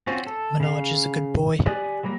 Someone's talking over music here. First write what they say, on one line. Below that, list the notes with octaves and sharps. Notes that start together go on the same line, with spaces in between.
Manoj is a good boy.
C4 C#4 F4 F#4
A4
C#3 F5
G4 D5 G#5 D#6 F#6
F#3 G3 A#3 A#4